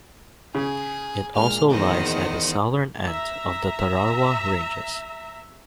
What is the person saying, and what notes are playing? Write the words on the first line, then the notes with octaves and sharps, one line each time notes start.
It also lies at the southern end of the Tararua Ranges.
C#3 G#4
A#2 G#3 D4 F6
E2 D#3 C5 D#5 F#5
E5 A#5